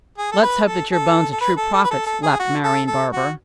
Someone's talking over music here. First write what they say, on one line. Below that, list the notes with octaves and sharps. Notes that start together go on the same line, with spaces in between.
"Let's hope that your bones are true prophets," laughed Marian Barber.
G#4
A4
B4
A4
A4
A4
B4
A4
A4
B4
A4
A4
G#4
F#4
A4
A4
F#4